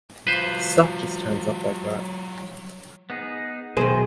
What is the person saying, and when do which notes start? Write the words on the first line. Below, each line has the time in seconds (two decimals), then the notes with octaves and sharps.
Stuff just turns up like that.
0.27 F#3 F4 B4 C5
3.10 B3 D#4 G#4
3.77 B2 D#3 F#3 E4 G#4 C5 D#5